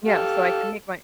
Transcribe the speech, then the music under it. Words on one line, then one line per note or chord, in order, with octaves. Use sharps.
Yeah, so I can make my
G4 A4 F5